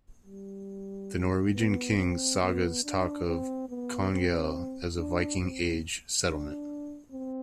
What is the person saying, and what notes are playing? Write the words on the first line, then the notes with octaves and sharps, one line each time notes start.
The Norwegian Kings' sagas talk of Konghelle as a Viking Age settlement.
G3
B3
C4
B3
D4
C4
B3
C4
D4
C4
D4
C4